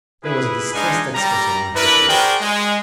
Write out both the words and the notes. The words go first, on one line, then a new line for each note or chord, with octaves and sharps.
There was a distressed expression on her face.
E4 G#4 B4
G#3 D4 D#4 F5 G#5
G3 A#5
D4 E4 A#4 B4
F#4 G#4 A#4 C5 D5 G5
G#3